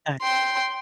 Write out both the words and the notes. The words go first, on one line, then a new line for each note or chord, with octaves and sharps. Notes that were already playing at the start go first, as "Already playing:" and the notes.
Got you.
G5 C6